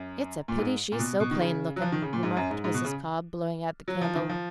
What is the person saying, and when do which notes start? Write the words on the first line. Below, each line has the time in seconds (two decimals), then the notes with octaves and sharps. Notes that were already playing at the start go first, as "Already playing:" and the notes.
"It's a pity she's so plain looking," remarked Mrs. Cobb, blowing out the candle.
Already playing: F#2
0.48 A#2
0.58 G#2
0.92 A#2
0.99 B2
1.20 B2
1.31 D#3
1.41 C#3
1.76 F#3
1.82 F3
1.92 D#3
2.02 C#3
2.13 A#2
2.23 G#2
2.37 F#2
2.50 G#2
2.64 G#2
2.74 B2
2.84 C#3
3.88 F#3
4.01 F3
4.15 D#3
4.29 F3